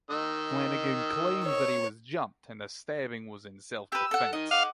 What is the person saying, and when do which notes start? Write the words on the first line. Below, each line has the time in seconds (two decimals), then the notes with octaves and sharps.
Flanagan claims that he was jumped, and the stabbing was in self-defense.
0.10 D#3 D#5 E6
1.44 C#5
3.92 G4 B4 E6
4.11 A4 F#5
4.33 D#3 D#5
4.51 F5 F#5 D6